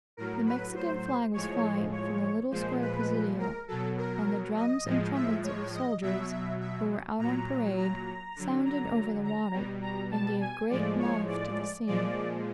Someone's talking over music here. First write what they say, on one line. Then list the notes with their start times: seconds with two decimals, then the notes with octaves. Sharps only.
The Mexican flag was flying from the little square Presidio, and the drums and trumpets of the soldiers, who were out on parade, sounded over the water, and gave great life to the scene.
0.17 A2 F#3 A#4
0.46 B4
0.75 C5
1.33 A2 F3 G#3 C#5
1.92 C#5
2.51 A#2 F3 G#3 C5
2.81 B4
3.39 A#4
3.67 B2 F#3 A4
3.97 A#4
4.56 D#5
4.84 A2 F3 G#3
5.14 E5
5.44 C#5
5.73 D#5
6.02 B2 F#3 E5
6.31 E5
6.61 E5
7.18 A#2 F#3 A#5
7.77 A#5
8.36 D3 F#3
8.65 A#5
9.23 A#5
9.52 B2 G3
9.82 A#5
10.11 A5
10.40 G#5
10.70 A2 F3 G#3 D5
10.99 C#5
11.28 D5
11.87 A#2 F3 G#3 D5